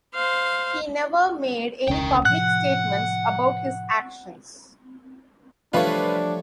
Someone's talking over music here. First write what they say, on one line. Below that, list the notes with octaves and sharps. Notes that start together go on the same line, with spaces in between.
He never made any public statements about his actions.
C5 F5
E1 C#2 C#4 A#4 G5
A2 C3 F3 F#5 F#6
F3 G3 A3 D4 F4 B4 C#5